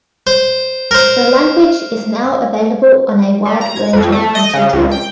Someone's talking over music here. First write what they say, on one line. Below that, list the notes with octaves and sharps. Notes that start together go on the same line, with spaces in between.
The language is now available on a wide range of computers.
C5
A#4 C5
G3
A#5
G#6
F2
A3
D#5
C#3
C#2
G5